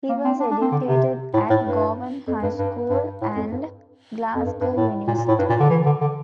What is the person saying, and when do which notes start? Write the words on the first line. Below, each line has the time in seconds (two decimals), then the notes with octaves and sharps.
He was educated at Govan High School and Glasgow University.
0.09 A#3
0.25 C4
0.40 D4
0.51 D4
0.61 C4
0.72 D3
0.87 C3
1.34 A2
1.50 A2
1.65 G2
2.27 F2
2.43 G2
2.59 G2
2.90 G2
3.21 A2
3.36 F2
3.52 G2
4.34 F2
4.45 G2
4.61 G2
4.77 A2
5.08 A#2
5.18 A#2
5.28 A2
5.39 G2
5.49 A#2
5.60 D3
5.70 E3
5.86 D3
6.01 D3